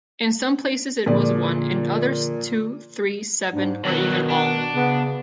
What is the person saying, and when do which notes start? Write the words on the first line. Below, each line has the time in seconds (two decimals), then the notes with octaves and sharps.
In some places it was one; in others, two, three, seven, or even all.
1.06 A#2 D3 F3 G#4 D5
3.53 G#2 D4
3.85 G2 B2 D#3 F#3
4.30 D4 F#4
4.75 C#3 B3